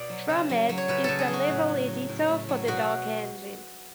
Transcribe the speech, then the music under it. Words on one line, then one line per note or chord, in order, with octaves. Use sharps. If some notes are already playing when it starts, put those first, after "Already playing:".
DromEd is the level editor for the Dark Engine.
Already playing: B2 D5
F#3
C#3
F#3
F#3
C#5
C#3 B4
C#3 A4
G#4
F#3
F#4
A2
F#3
F#3
A2
A2
F#3
B2 F#4